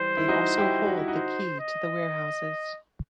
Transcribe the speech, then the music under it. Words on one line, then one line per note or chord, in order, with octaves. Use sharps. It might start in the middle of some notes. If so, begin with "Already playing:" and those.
They also hold the key to the warehouses.
Already playing: E3 G3 C5
E4
D#4 F#4
E4 G4
F#4
E4
D#4 F#4
C5
D#5